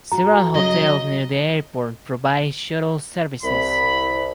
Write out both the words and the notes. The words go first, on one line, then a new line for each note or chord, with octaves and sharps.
Several hotels near the airport provide shuttle services.
F#4 A4 A#5
C#3 F#3 D#5
C2 B5